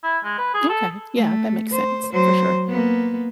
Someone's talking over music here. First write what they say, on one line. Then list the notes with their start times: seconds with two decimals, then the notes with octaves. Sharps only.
Okay. Yeah, that makes sense, for sure.
0.03 E4
0.24 G#3
0.38 B4
0.54 G#4
0.69 A4
1.16 A3
1.72 C5
2.12 F#3 C5
2.69 A#3 B3